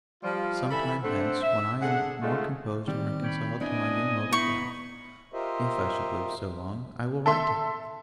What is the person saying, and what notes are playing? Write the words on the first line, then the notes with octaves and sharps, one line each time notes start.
Some time hence, when I am more composed and reconciled to my new mode of life, if I should live so long, I will write to him.
F3 G3 F4
E3 A4 E5 B5
A3 C4 D4 A4 C5 F#5
E5
D3 G#4 A4 F#5
C#3 G#3 A3 D#4 F4 F#4
D#3 G3 C4
C#5 G5 B5
B3 C4 D4 E4 D#5 G#5
B3 D#4 E4 B5 C#6
F4 G4 A#4 C5 D#5 E5
A4 E5 C6